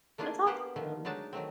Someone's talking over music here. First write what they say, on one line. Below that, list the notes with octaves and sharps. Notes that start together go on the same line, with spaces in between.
That's awesome.
A3 A#3 D4 F4 G#4
A#3 B3 G4 B4 C5 F#5
D3 D#3 F3 A3
F#3 G#3 A3 D4 D#4 A5
D#3 F#3 A3 C4